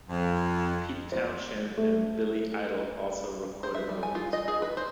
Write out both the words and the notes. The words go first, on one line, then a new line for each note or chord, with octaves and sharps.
Pete Townshend and Billy Idol also recorded vocals.
F2
C5
A3
C5
E5
G3
G#5
F4
D#5
G#4
B4
C5